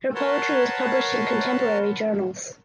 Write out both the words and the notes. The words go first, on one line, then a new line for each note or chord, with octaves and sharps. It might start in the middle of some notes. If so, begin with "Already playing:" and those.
Her poetry was published in contemporary journals.
A#4 B4 C#5 F#5 A5 C6